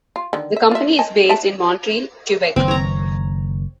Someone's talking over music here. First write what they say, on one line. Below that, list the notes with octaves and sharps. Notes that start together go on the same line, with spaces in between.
The company is based in Montreal, Quebec.
F4
D3 D#3
E5
F4 E5
D#5 G#5 A5
E5 A5
F#1 D#3 C4
C#5 A#5